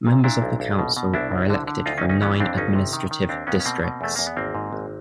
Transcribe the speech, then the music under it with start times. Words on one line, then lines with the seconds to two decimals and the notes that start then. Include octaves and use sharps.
Members of the council are elected from nine administrative districts.
0.07 A#2
0.24 A#2 D4 E4
0.42 B1
0.60 B1
0.79 B2
0.97 B2
1.14 C2 D4 E4
1.32 C2
1.50 D3
1.67 D3
1.86 D2 D#4 F4
1.98 C#4 D#4
2.03 D2
2.09 C#4 D#4
2.21 E3 B3 C#4
2.40 F2 C4 D4
2.57 G1 C#4 D#4
2.75 C3
2.93 D#3
3.11 D#3
3.29 D#2 C4 D4
3.47 D#2 B3 C#4
3.60 C#4
3.65 B2 A#3 C4
3.84 B2
4.01 E2 A3
4.16 E2 A#3
4.27 B3
4.37 G#1 A#3 C4
4.55 G#2
4.73 G#1